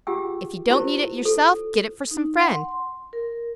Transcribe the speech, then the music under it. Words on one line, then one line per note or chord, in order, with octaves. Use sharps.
If you don't need it yourself, get it for some friend.
F4 G4 G#4 F#5 G5 E6
E4 F4 G4 A#4 C5
A4
D#4
F#5
C6
A#4